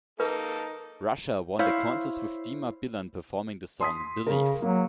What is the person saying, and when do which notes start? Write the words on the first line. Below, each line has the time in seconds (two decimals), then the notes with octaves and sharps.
Russia won the contest with Dima Bilan performing the song "Believe".
0.20 A#3 D#4 A4 B4 A5
1.59 E4 C5 C#5 F5
3.81 C6 D#6 B6
4.27 C#3 A#4
4.62 F#3 A#3